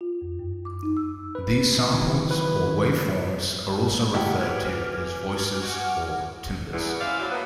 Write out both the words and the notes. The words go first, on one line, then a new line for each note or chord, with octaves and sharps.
These samples or waveforms are also referred to as voices or timbres.
F4
F2
F#2
D6
D#4
E6
B4
D#3 E3 F#3
B4
D3 A3 E4 G4 E5 F#5 D6
F#4 G#4 B4 G#5 D6 F6
B3 D4 F#4
E2
C#4 C5 D5 E5 F5
A2 D3 F#3
A#3 B3